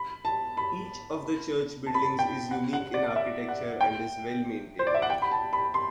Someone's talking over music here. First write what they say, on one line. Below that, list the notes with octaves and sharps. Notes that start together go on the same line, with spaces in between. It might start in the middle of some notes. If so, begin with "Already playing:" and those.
Each of the Church buildings is unique in architecture and is well maintained.
Already playing: B5
A5
B5
A5
B5
A5
G5
F#5
F#5
D5
E5
F#5
G5
C5
D5
E5
F#5
G5
B5
A5
B5
C6